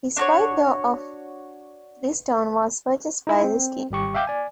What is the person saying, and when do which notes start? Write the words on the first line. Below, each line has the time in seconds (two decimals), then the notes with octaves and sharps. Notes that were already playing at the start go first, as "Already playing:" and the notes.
His "White Doe of Rylstone" was purchased by Ruskin.
0.17 D4 F#4 B4 C#5
3.27 D#4 E4
3.44 C4
3.91 G#1 G3 G4 C#6
4.14 E5 F5 G5 D6 G6
4.27 D5 G#5